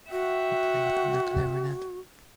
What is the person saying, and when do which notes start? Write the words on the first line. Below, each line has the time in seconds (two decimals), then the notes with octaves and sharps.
He played the clarinet.
0.11 F#4 E5 F#5 G5